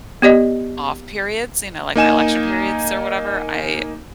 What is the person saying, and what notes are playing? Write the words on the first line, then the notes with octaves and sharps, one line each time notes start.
off periods, you know, like my election periods or whatever. I
B3 G4 D5 D#5
A#3 D#4 G#5 E7